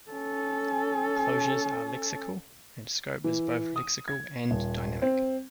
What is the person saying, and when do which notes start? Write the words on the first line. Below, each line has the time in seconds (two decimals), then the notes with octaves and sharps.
Closures are lexical, and scope is both lexical and dynamic.
0.11 C#4 A4
3.24 E3
3.76 D#6
4.08 G#6
4.51 D#1
5.02 C4